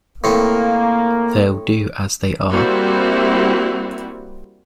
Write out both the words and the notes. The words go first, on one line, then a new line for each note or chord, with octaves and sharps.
They'll do as they are?
A2 A#3 C4
G3 A#3 C4 E4 F#4